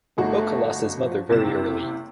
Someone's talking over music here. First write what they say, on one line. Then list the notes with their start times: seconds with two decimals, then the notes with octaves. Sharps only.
Boka lost his mother very early.
0.18 G1 A3 D#4 F#4
1.00 F3
1.30 F#1 C3 E4 E7